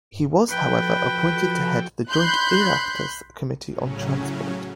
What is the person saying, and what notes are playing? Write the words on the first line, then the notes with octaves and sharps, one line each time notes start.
He was, however, appointed to head the joint Oireachtas committee on Transport.
F3 F#4 A4 B4 G5 B5
B5 C6 F#6 G6
A2 C#3 F#3 C#4